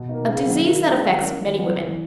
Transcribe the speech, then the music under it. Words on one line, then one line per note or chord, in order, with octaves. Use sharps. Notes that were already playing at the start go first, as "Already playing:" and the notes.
A disease that affects many women.
Already playing: B2
A#3 D#4
C#3
F#3 C#4 E4
D#3
G#3 C#4 E4
D#3
A#3 C#4 E4
D#3
F#3 A#3
E3